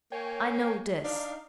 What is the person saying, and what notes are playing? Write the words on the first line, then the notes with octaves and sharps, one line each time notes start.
I know this.
A#3 C#5 G5 G#5
D4 D#4 F5